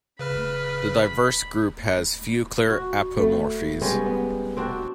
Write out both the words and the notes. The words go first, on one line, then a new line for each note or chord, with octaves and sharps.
The diverse group has few clear apomorphies.
C#3 B4 B5 F6
F#4
A3
G3 G#3 B3 C#4
B3
C4 D4 F#4